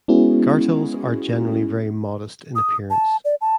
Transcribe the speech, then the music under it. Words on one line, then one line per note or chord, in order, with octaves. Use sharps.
Gartels are generally very modest in appearance.
G#3 B3 C#4 E4 F#4 G#4
D#6
A5
D5
A5